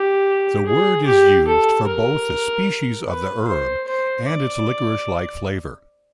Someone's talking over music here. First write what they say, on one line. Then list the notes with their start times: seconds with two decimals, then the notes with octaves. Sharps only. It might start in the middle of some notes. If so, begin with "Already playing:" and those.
The word is used for both the species of herb and its licorice-like flavor.
Already playing: G4
0.66 G#4
1.07 G4
1.47 A4
1.88 A#4
3.08 B4
3.48 C5
3.88 C5
4.29 D5